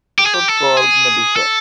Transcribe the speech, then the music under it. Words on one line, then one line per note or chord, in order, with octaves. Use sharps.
It was called Medusa.
G4
G#4
G4
A4
G#4
A4